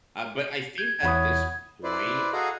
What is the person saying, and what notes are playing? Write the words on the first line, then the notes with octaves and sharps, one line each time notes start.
Uh, but I think at this point
G6 G#6
E2 E4 C#5 F#5 B5 D#6
E4 B4 C5 D5
F#4 G#4 A4 D#5 F5 A#5